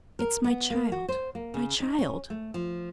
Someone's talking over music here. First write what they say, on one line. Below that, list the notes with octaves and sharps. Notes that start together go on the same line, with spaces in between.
"It's my child, my child!"
A#4
B3
A#3
F#4
C5
A#3
C#3
D#4
C#4
A3
F3